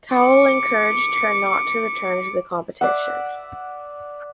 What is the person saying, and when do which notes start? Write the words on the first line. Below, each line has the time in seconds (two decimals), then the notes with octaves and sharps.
Cowell encouraged her not to return to the competition.
0.16 D6 C#7
2.81 D5 E5 F#5